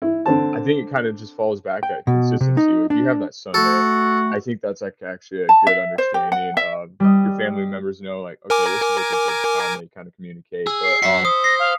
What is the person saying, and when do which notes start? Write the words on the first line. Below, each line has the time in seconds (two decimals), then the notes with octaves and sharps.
I think it kind of just falls back at consistency, like, you have that Sunday. I think that's, like, actually a good understanding, um, your family members know, like, okay, this is, like, a good time they kinda communicate. But, um,
0.02 E4
0.26 D3 C4 A5
1.83 G5
2.07 B2
2.41 C3
2.57 D#4
2.90 D4
3.54 A3 F#4 A4
5.49 A5
5.67 E5
5.98 C5
6.14 G4
6.32 F#5
6.57 E5
7.00 G3 D#5
8.50 A#4 G#5 D6
10.67 G#4 E6
10.84 C7
11.02 F#2 F#4 B6 C#7
11.25 C5 D#6
11.44 A#6 C7
11.60 F5